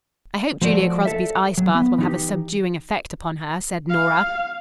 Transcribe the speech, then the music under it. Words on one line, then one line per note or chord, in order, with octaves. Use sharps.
"I hope Julia Crosby's ice bath will have a subduing effect upon her," said Nora.
F3 A3 F#4 D5
A4 E5
F#3
B3
E3 D#4 G4
F5